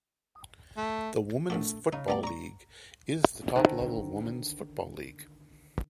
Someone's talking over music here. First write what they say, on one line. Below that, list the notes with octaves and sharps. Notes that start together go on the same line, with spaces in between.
The Women's Football League is the top-level women's football league.
A3
A#1 A2 A3 G4
C#3 D#4
D2 B3 D5 A#5
D5 A#5 C#6
D3 D#3 D#4 C5